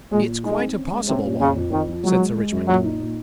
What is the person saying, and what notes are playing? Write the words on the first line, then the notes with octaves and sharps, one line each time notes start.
"It's quite a possible one," said Sir Richmond.
A#2 G#3
A#2
G#3 D#4
C4
C#4
G#3
C3 C#4
A#2
F2 C#3
F2
F2 D#3
F3
F#3 G#3
G#3
G#3
F#2
A#2 F#3
D#4
A#2